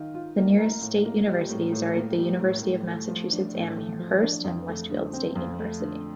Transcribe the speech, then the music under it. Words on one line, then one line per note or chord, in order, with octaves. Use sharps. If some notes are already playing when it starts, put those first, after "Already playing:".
The nearest state universities are the University of Massachusetts Amherst and Westfield State University.
Already playing: D#3 F4
F4
A#3
A#4
A2
A#3
G3
A2
A2
A#3
G3
A2
A2
A3
F3
D4
A2
A3
F3
D4
F2
A3
D3
C4
F2
A3
D3